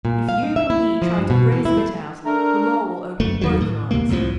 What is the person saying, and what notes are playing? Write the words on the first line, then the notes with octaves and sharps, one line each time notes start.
If you and he try to brazen it out, the law will open both your eyes.
A#2
F5
D#4
E5
E4
F3
G2
B2
E3
E4
A3
A3 D4 A#4
F#1 A3
E2 D#3 F#3
A2
D#2 C3 A3 A#3
C2 F2 A2 F3